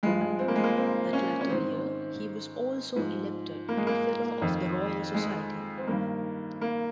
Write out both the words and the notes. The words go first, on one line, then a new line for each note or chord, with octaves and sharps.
That latter year he was also elected a Fellow of the Royal Society.
G2 F3 G#3
G#3
C4
A#3
G#3
A#3
C4
C#4
C#4
G#2 D#3 C4
G#2 F3
A#3
G#3
A#3
F2 D#3
G#3
C4
G2 D#3 A#3
A#3